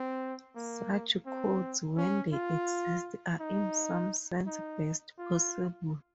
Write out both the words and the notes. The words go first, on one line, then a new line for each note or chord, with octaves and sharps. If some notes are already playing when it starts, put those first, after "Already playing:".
Such codes, when they exist, are in some sense best possible.
Already playing: C4
A#3
C4
C#4
F4
D#4
D#4
F4